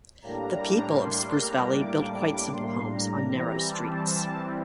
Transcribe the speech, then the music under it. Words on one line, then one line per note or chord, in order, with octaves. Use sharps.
The people of Spruce Valley built quite simple homes on narrow streets.
A2 G3 A#3 D4 A#5
C6
A#5
D6
D6
C6
A#5
E3 G3 C4 A#5
A5
A5